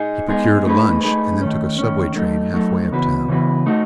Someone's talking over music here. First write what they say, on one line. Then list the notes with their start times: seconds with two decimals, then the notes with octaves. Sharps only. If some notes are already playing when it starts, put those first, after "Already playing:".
He procured a lunch and then took a subway train halfway uptown.
Already playing: D#4 G#4
0.28 G#3 B3 D#4 G#4
0.65 A3 D#4 G#4 B4
1.03 A3 D#4 G#4 B4
1.41 D#3 A3 C#4
1.78 D#3 A3 C#4
2.16 F#3 A3 D#4 A4
2.54 F#3 A3 D#4 A4
2.91 C#3 E3 B3 F#4 B4
3.28 C#3 E3 B3 F#4 B4
3.66 A3 D#4 F#4